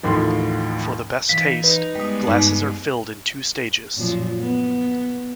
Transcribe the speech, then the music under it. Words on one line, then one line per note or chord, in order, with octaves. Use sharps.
For the best taste, glasses are filled in two stages.
A1 D#2 A2 F3 C6
E3 D#4 F5 B6
D#4 B4
G3 G#3 B3 G5 D#6 B6
G2 D#4
F#2 A#2 F3
B3